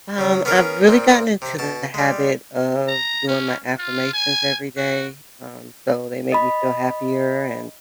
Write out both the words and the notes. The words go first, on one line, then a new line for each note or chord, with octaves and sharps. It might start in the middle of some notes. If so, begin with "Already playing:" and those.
Um, I've really gotten into the habit of doing my affirmations every day, um, so they make me feel happier and,
C#3 F#3
B3 C#4 G#4 A#4
A#2 C4
C3
B2 A5
G3 G#3
A#5
C#4
F4
G#5
F#4
D#5 B5